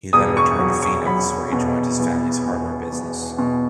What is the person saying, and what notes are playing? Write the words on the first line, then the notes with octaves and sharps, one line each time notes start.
He then returned to Phoenix, where he joined his family's hardware business.
E1 D#6
C#6
F#3
C#6
F#3 B5
B2
E2
E1
E1
B2